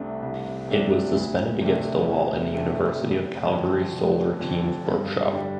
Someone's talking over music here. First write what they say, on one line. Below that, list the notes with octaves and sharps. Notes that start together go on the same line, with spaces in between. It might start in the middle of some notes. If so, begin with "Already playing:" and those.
It is suspended against a wall in the University of Calgary Solar Team's workshop.
Already playing: C2 C3 A3 D4
C2
C3 A3 D4
D2
C3 A3 D4
D2
C3 A3 D4
F1
F2 D3
F1
F2 D3
G2
D3 G3 D4